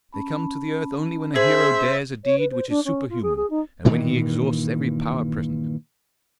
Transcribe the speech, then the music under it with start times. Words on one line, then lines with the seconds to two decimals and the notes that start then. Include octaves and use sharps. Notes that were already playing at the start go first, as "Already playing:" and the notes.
They come to the earth only when a hero dares a deed which is superhuman and when he exhausts every power present.
0.13 C#4 A5 B5
1.36 G#4 C5 E5
2.24 C#5
2.38 B4
2.50 C5
2.69 D4
2.84 C#4
3.09 F4
3.22 G#4
3.36 G#4
3.50 D#4
3.85 G2 A#2 D#3 E3